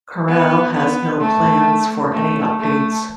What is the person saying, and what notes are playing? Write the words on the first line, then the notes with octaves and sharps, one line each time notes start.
Corel has no plans for any updates.
B3
B3
A3
A3
A3